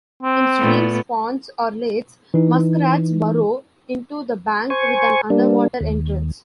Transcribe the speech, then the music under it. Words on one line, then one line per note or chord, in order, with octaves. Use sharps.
In streams, ponds, or lakes, muskrats burrow into the bank with an underwater entrance.
C4
A#2 A3 B3
E3 D#4
C5 G#5 C#6
G3 A#3 D4
D#2